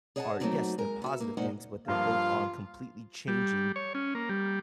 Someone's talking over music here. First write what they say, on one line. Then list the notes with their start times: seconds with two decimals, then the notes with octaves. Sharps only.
are yes, they're positive things, but they're built on completely changing
0.16 G#4 C#5 D#5 F#5 G#5 A5
0.40 F#3 A3 A#3 C4 D#4 F#4
0.78 G#3 A#4
1.02 B3 F#4 E5
1.20 A#3 D#4
1.37 A#2 G#3 D#4 C5 D#5 F#5
1.88 G2 F3 A#3 F4 F5
3.28 G3
3.76 C#5
3.95 C#4
4.15 A#3
4.29 G3